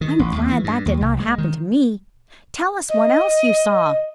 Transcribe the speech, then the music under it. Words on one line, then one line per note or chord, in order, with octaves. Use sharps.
"I am glad that did not happen to me. Tell us what else you saw."
D#3
A1
D#2
E3
G2
D#2
C2
G#3
D#3
D#5